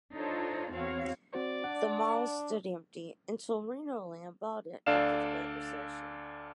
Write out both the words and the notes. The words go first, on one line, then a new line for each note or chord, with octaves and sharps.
The mall stood empty until Reno Land bought it after the Great Recession.
D4 D#4 F4 A4 C5 C#5
E2 C4 F#4 C#5 F5
C4 F#4 C5 D5
D4 F#5
D2 D4 A4 D5 F5 E7